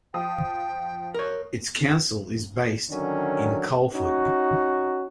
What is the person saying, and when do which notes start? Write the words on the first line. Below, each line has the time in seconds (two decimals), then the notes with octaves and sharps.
Its council is based in Coleford.
0.14 F3 G5 D#6
1.14 A#4 C#5
2.90 D3 D#3 F#3 C#4
3.93 C#4 D#4 F#4